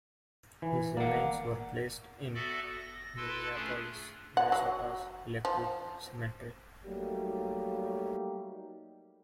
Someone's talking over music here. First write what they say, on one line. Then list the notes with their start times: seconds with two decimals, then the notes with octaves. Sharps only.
His remains were placed in Minneapolis, Minnesota's Lakewood Cemetery.
0.62 E3
0.97 A#3 D5 F#5
2.34 B3 F#4 A4 D5 E5
2.72 A#6
3.17 E4 A4 B4 A5 C6 E6
3.54 A3 C#4 D4 F4 G#4 B4
4.37 F#5
4.52 F#3
5.45 F3
6.85 F#3 G3 A3 A#3 D#4